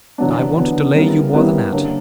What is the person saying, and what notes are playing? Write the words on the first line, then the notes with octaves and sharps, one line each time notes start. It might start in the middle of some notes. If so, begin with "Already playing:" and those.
And I won't delay you more than that.
E2 D3 F#3 B3 D4
E2 D3 F#3 B3 D4
C#3 G3 B3 E4 A#4
C#3 G3 B3 E4 A#4
G2 D3 A#3 C#4